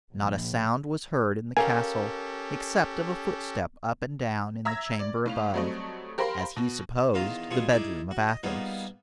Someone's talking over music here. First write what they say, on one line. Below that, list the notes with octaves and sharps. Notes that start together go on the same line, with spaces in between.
Not a sound was heard in the castle, except of a footstep up and down, in the chamber above--as he supposed, the bedroom of Athos.
A#1
C#4 G4 A4 A#4 F5 G5 G#5
E5 A#5 E6 G#6 A#6
D5
A2 F5 F7
F#3 G3 A3 C4 D#5
G4 A#4 C5 F5 B5 C6
B2
E2 D#3 F4 F5 A#5 D#6
B2 G3 F4 G#4 C#6
D#4 E4 G#4 D5
F#4
D#5
G3 A#3 B3 D#4 F4 G#4